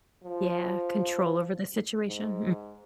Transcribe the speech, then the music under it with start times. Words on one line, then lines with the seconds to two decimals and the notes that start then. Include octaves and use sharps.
yeah, control over the situation,
0.24 F3
2.07 G#2